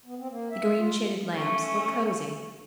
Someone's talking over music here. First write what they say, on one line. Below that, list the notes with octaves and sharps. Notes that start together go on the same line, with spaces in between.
The green shaded lamps look cosy.
B3
C4
A#3
E5
F4
A3 C#4